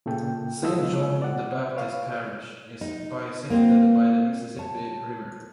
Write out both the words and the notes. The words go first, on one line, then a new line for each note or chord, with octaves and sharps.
Saint John the Baptist Parish is bisected by the Mississippi River.
A#2 C#3 A4 G5
G#3 B3 F4 A4 D#5 E6
D5 F#5
B4 C#5 F5
D#4
A#3 C4 F4
C#5 A5